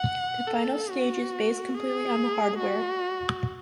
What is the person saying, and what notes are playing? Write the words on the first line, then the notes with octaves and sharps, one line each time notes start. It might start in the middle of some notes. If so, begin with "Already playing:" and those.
The final stage is based completely on the hardware.
Already playing: F#5
A4
F#4
G#4
F#4